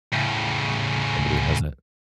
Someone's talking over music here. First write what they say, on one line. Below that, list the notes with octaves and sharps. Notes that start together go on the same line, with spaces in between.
somebody has it.
A2 C#3